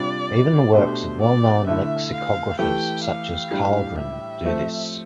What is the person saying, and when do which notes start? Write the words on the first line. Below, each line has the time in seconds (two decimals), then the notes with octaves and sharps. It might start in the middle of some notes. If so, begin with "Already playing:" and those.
Even the works of well-known lexicographers such as Karlgren do this.
Already playing: C3 G3 D4 F4 D5
0.74 B2 A3 D4 G4 C5
1.21 D5
1.67 D3 A3 E4 E5
2.13 F5
2.59 E3 A3 E4 G4 G5
3.05 F5
3.51 A2 G3 D4 G4
3.98 E5
4.44 F3 A3 C4